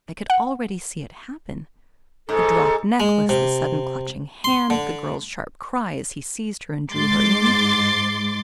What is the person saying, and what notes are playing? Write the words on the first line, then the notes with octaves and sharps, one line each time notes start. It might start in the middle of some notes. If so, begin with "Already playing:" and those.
I could already see it happen--the dropped necklace, the sudden clutching hand, the girl's sharp cry as he seized her and drew her in.
F#5
G#2 A4
G#3
C3
C6
D3
G#2 C6 D6 A6